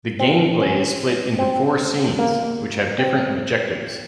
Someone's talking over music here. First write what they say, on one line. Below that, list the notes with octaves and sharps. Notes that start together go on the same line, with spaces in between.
The gameplay is split into four scenes, which have different objectives.
C4
C#4
C4
A#3
C4